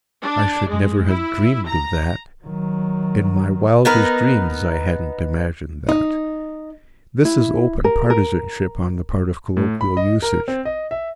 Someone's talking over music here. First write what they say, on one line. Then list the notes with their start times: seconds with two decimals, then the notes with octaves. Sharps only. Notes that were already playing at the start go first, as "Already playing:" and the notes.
"I should never have dreamed of that," "in my wildest dreams I hadn't imagined that." This is open partisanship on the part of colloquial usage.
0.22 D4
0.69 G#3
1.07 E4
1.67 A#5
2.46 D#3 F#3
3.85 B3 D#4 A#4 B4
5.89 D#4
7.25 E4
7.84 A#4
8.10 A#4
9.57 A2
9.81 B5
9.97 D#5
10.22 A#4
10.48 C4
10.65 D#5
10.91 E5